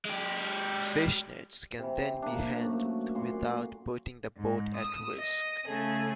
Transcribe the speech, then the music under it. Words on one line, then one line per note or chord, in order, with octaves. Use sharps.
Fishnets can then be handled without putting the boat at risk.
G#3 G4
C3 E3
A#3 D4
F#2 A3 F#4
A#2 F#5 C6
G#2
D#6 E6
D#5
C#3 A3 G#4 A4